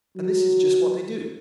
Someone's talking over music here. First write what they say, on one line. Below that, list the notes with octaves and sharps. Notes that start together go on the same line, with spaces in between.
And this is just what they do.
F#3